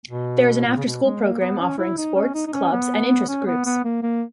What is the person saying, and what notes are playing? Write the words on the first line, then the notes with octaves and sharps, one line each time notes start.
There is an after-school program offering sports, clubs, and interest groups.
B2
A#2
C#3
B2
G#3
A#3
B3
C#4
E4
D#4
C#4
D#4
D#4
C#4
B3
C#4
B3
B3
A#3
A#3